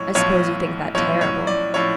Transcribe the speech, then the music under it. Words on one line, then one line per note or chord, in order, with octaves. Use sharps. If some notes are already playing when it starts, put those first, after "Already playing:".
"I suppose you think that terrible."
Already playing: B1 A2 F3 C#5
B1 A2 F3 C#5
B1 A2 F3 C#5
C#5
D5
A2 F3 C#5